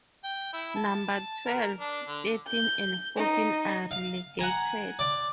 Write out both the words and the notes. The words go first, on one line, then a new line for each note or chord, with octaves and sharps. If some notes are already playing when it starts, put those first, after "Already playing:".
Number twelve, thirteen and fourteen are relegated.
G5
E4
A5
A#4
D4
D3
G6
D#4
F5
F#5 G#5 A#5
D5